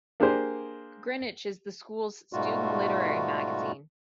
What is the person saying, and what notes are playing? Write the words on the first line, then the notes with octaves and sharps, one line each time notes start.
"Greenwitch" is the school's student literary magazine.
A#3 D4 G4 G#4 A#4 C5
G#2 B2 G3 A3 F4 F#4